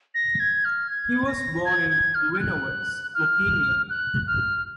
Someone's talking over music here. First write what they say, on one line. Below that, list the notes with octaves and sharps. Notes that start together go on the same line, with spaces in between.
He was born in Reinowitz, Bohemia.
A#6
G#6
F6
G#6
A#6
G#6
G#6
F6
F6
F#6
F6
F#6
F6